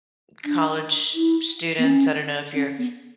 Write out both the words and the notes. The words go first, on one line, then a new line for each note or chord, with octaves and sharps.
college students I don't know if you're,
D4
E4
B3
C#4
C#4
B3